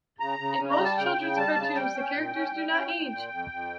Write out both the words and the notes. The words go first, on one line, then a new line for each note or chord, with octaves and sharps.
In most children's cartoons, the characters do not age.
C#3 A#5
C#3
C#3
A#5
G3
A5
C#3 G5
C#3
G3 A5
C#3
G3 G5
C#4
A#2
C#4
G3
C#4
A#2
A#2
F2
F2